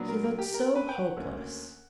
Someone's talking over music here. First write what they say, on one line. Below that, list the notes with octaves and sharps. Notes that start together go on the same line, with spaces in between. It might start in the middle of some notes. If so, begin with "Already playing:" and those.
He looked so hopeless.
Already playing: A#2 F#3 B3 D4
A#4
A#4
G4
A#4
B4
G5
F#5
D2 D3 A#3 C#4